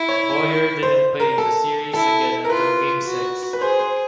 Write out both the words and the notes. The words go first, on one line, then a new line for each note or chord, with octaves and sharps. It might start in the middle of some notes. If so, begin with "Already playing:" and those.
Boyer didn't play in the Series again until Game Six.
Already playing: E4
C#5
C5
A#4
A4
E4 A4
A#4
F4 B4
F#4
B4
G#4 C5
C5